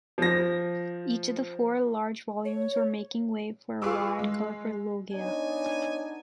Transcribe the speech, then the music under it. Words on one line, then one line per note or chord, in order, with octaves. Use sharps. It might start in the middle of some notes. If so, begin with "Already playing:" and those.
Each of the four large volumes were making way for a wide, colorful loggia.
F3 A#6
C#5
F4 G#4 B4 C#6 D6 E6
G#3
B3 D4 D#4 C#5 G#5